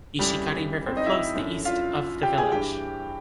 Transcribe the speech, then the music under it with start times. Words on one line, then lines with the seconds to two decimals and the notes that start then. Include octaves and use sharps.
Ishikari River flows the east of the village.
0.19 F2 C#3 E3 G3 G4
0.87 C4 C5
0.97 D#4 D#5
1.06 E4 E5
1.35 F#2 D3
1.65 F4 F5
2.23 G4 G5
2.38 G#4 G#5
2.52 G2 E3 G4 G5